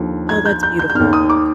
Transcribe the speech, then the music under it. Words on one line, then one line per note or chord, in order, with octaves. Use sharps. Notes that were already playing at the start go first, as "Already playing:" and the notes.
Oh, that's beautiful.
Already playing: D#2 D3 F3
G#6
G6
G6
G6
G6
D#2 D#3 F6
D#6
D6